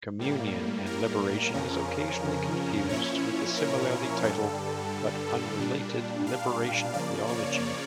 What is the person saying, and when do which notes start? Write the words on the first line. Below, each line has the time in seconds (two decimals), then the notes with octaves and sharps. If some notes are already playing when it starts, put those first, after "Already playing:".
Communion and Liberation is occasionally confused with the similarly titled, but unrelated liberation theology.
0.19 A2 G3 A#3
0.86 A#4
1.54 F2 C#3 F3 C#4
2.89 A#2 F3 C#4 E4 C#5
3.57 A#4
4.24 G2 D3 G3 A4
5.59 A#2 G3 D4
6.27 F5
6.93 C#3 F3 A#3 D5
7.28 C#5